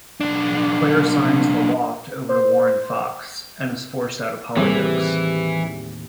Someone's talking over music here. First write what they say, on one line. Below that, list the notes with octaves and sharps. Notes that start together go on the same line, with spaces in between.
Clare signs The Loft over to Warren Fox and is forced out of Hollyoaks.
B1 D4
C5
D#2 A2 C3 E3 G3 G#4